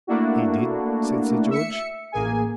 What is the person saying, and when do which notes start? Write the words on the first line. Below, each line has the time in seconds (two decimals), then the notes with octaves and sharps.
"He did," said Sir George.
0.07 A3 A#3 D4 E4 F#4
1.50 E5 C#7
2.12 A1 A#3 G#4 G#5